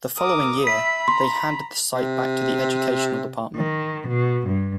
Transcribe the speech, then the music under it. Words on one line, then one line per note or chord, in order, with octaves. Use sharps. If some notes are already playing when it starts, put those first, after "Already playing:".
The following year, they handed the site back to the Education Department.
A#4 D6 D#6
E5 B5 B6
A#5 C6
C3
D#3
B2
G2